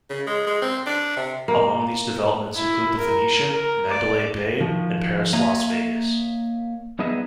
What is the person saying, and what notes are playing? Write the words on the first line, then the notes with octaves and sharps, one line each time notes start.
Among these developments include The Venetian, Mandalay Bay, and Paris Las Vegas.
C#3
G#3
G#3
C4
D4
C3
A#3
E4
A#4
A#4
D5
D#3 F3 F#4
A#3 C#5 D#5 E5 A#5
G3 B3 D#4 G#4 D#5 E5